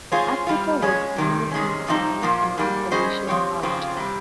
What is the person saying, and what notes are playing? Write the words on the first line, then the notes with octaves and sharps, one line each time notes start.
Afrika works mainly in performance and installation art.
G#3 C4 F4 G#4 C#5
G3 C4 F4
F3 G#3 C#4 G#4 C#5
C3 D#3 G3
C3 D#3 G#3 C#4
F2 C3 F3 C4 D#4
A#2 F3 A#3
G#2 G3 A#3
G3 C#4 G#4 C5 D#5
F3 C4 G4 C#5
F2 C#3 F3 C4 F4
C3 G3 C4